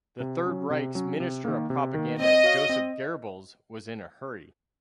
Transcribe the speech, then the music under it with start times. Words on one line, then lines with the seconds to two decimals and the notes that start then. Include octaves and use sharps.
The Third Reich's Minister of Propaganda Joseph Goebbels was in a hurry.
0.20 C3
0.46 F#3 C#4
0.70 C3
0.95 F#3 C#4
1.20 C3
1.45 D#3 A#3
1.70 C3
1.94 D#3 A#3
2.20 C4 D#5
2.44 F#4 C#5 F5
2.69 C4